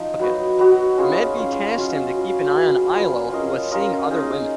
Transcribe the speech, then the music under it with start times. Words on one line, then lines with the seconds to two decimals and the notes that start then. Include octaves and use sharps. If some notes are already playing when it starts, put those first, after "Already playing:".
Medb tasked him to keep an eye on Ailill, who was seeing other women.
Already playing: F3 D#4
0.19 F#3 B3 F#4
0.58 F#3 B3 F#4
0.97 C#4 F4 G#4 C#5
1.37 C#4 F4 G#4 C#5
1.76 F#3 C#4 F4
2.15 F#3 C#4 F4
2.54 F3 B3 F4 G#4
2.93 F3 B3 F4 G#4
3.32 C#4 F4 A#4 D#5
3.71 C#4 F4 A#4 D#5
4.10 D#4 G#4 D#5